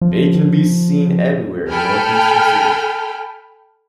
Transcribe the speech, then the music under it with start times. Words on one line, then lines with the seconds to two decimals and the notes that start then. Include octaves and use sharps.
They can be seen everywhere in northeastern cities.
0.01 F3
1.71 A4 G5 G#5 B5 F6